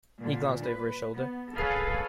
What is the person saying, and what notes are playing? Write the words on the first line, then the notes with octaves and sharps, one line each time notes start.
He glanced over his shoulder.
A#2 D3
B4
B3
G#4 A4 B4 C#5 F5